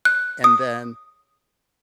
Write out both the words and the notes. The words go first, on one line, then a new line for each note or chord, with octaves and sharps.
and then
F#6
D#6